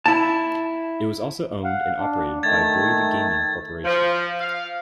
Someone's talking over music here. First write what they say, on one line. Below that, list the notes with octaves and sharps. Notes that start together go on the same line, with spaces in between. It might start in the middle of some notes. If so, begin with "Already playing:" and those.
It was also owned and operated by Boyd Gaming Corporation.
E4 A5
F5 F#5
D4
D#3 A3 G#6 A6
F3
F5